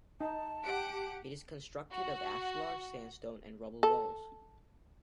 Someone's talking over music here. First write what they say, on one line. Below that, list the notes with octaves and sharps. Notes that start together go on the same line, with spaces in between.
It is constructed of ashlar, sandstone and rubble walls.
D#4 A5
G4 F#5 D7
F#4
A4